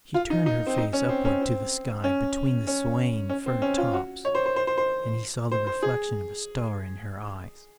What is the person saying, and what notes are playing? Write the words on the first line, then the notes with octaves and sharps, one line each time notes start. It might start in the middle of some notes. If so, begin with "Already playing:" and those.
She turned her face upward to the sky between the swaying fir tops and he saw the reflection of a star in her eyes.
F4
D#4
D#4
C4
D#4
C#4
C4
C#4
C4
C#4
C#4
C#4
C4
C#4
F4
F#4
C#5
C5
C5
C5
C5
C5
C5
C5
G#4